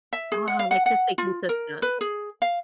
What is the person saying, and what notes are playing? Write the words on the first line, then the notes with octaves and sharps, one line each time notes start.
Ah, like, to stay consistent.
E5
G#4
F#5
F5
F#5
F#5
F4
A#4
B4
G#4
F5